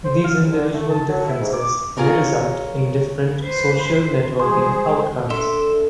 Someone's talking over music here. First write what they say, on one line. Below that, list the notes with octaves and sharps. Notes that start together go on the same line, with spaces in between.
These individual differences may result in different social networking outcomes.
C5
F6
C2
D3
A3
A5
F#3
E4
G#2
D6
F4 G#4 A#4 C#5
B4 C5
E3 G3 G#3 G#4 C5 C6
D4 A4 E5 C6